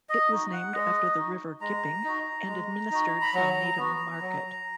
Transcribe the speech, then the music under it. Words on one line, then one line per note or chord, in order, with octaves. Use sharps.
It was named after the River Gipping and administered from Needham Market.
D#5
D#4 F#4
F#5
G#3 D#5
D#4 F#4
G#3 A#5
D#4 F#4
G#3
D#4 F#4
B5
F#3 A#5
B3 F#4
F#3